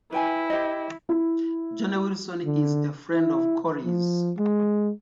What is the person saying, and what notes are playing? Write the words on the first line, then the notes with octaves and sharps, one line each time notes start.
Johnny Wilson is a friend of Cory's.
E4 B4 G5 G#5
G4 C5 D#5
E4
D3
E4
F3
G#3